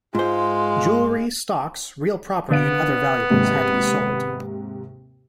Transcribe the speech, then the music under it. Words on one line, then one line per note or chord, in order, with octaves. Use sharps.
Jewellery, stocks, real property and other valuables had to be sold.
G#2 G#3 F4 C5 F5 C6
D3 B3 F5 D7
D#2 G#2 C3